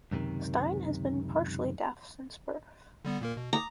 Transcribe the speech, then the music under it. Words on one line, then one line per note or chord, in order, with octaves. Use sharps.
Stine has been partially deaf since birth.
C#2 F#2 A2 C3 D#3
D3 G3 B3
A#2 A#3 A#4
B2
A#5 D6 D#6